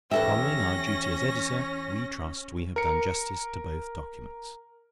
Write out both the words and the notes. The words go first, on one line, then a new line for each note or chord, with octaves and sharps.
Following our duty as editor, we trust we have done justice to both documents.
E2 C#4 G4 A4 B4 E5 A#6
A#4 C#7